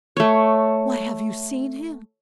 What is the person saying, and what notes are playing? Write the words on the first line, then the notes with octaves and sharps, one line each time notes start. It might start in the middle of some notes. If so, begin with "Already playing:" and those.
Why, have you seen him?
A3 C#5